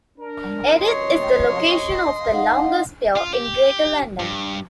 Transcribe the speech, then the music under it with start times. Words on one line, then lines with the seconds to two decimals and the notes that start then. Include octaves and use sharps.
Erith is the location of the longest pier in Greater London.
0.19 D4 A#4
0.79 F#2 C3 C#5 D#5 C6
2.33 D#4 F5 F#5
3.16 F4
3.34 G4
4.19 G2